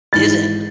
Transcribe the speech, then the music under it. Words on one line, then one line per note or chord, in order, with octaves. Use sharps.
Is it?
G#1 G#2 E3 G#3 A6